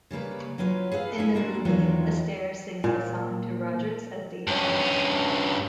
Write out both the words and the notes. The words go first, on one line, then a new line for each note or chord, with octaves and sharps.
In the movie, Astaire sings the song to Rogers as they dance.
C#3 G3 A#3 B4
F#3 C#4 F4 B4
G#4 A4 B4 F5
C#4 E4 G#4
G#3 A#3 D4 F#4
E2 D#3 F#3 G#3 F4 B4
A#2
G2 C#4